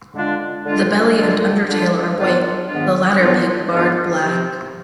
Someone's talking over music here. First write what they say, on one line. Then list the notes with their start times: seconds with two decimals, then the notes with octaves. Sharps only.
The belly and undertail are white, the latter being barred black.
0.14 D3 G#3 D4 F4
0.66 D3 G#3 D4 F4
1.16 D3 G#3 D4 F4
1.68 D3 G#3 D4 F4
2.18 G#2 D#3 B3 D4 F4
2.68 G#2 D#3 B3 D4 F4
3.19 G#2 D#3 B3 D4 F4
3.71 G#2 D#3 B3 D4 F4
4.21 C3 F3 C4